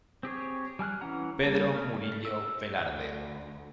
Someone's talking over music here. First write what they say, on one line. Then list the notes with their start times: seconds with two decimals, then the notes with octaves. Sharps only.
Pedro Murillo Velarde.
0.23 C4 G4 G#4 C#5
0.79 G3 G#5 F6 F#6
1.01 E3 C#4 F#5 A#5
1.44 G3 A#3 A5
1.74 A3 F6
2.25 E6
2.80 D2 D3